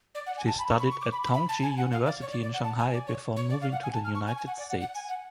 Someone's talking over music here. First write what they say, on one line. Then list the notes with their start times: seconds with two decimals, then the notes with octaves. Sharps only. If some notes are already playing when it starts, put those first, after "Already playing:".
She studied at Tongji University in Shanghai before moving to the United States.
0.15 D5
0.26 F#5
0.37 G#5
0.47 A5
0.59 B5
0.70 C#6
0.79 B5
0.91 C#6
1.01 D6
1.12 B5
1.23 B5
1.33 B5
1.49 A5
1.63 G#5
1.77 F#5
1.92 F5
2.06 D5
2.21 C#5
2.31 D5
2.43 D5
2.54 F#5
2.64 A5
2.79 G#5
2.93 D5
3.07 C#5
3.36 C#5
3.50 D5
3.61 F5
3.72 F#5
3.83 G#5
3.94 A5
4.04 F6
4.15 C#6
4.27 G#5
4.38 G#5
4.47 F#5
4.58 D5
4.70 F#5
4.81 F#5
4.95 G#5
5.09 F#5